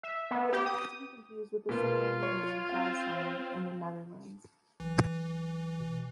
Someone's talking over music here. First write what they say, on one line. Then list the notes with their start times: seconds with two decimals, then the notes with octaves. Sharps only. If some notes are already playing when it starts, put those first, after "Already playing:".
It is not to be confused with the similarly named Friesland in the Netherlands.
0.03 E5
0.31 B3
0.53 G4
0.66 D#6
1.69 B2 A#3 B3 F4
2.23 C#5
2.69 C4 F5
4.80 B1 E3
5.80 B2